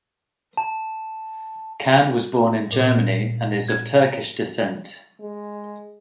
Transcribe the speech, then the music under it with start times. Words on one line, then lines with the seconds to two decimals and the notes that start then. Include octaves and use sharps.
Can was born in Germany and is of Turkish descent.
0.57 A5
2.72 A#2
3.68 G#6
5.21 G#3